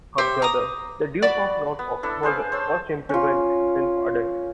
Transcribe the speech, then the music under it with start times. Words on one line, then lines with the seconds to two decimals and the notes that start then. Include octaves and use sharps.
Her brother, the Duke of Norfolk, was first imprisoned, then pardoned.
0.18 G4 C5 C#5 E5
0.42 A#5 D6 D#6
1.22 F#4 D5 B5
1.79 B3
2.03 D4 E4 A4
2.23 G#4 B4 C5 F5
2.52 C5 C#5 A5 E6
3.09 C#4 F4